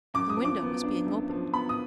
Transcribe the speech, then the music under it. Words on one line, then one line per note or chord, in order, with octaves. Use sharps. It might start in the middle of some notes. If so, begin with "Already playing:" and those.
The window was being opened.
F#2 D6
D#6
F3
D6
B3
D4
F#2
F3
B3 B5
D#6